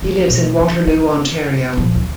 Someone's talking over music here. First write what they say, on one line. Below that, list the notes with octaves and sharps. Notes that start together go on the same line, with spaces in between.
He lives in Waterloo, Ontario.
D2 F3
B2 A3
D4
E4
A#2 F3
D2